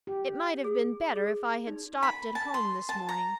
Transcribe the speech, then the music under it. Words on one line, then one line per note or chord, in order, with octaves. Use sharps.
It might have been better if I had stopped at home this morning.
G4
G#4
G#4
D#4
B5
A5
C6
A5
A#5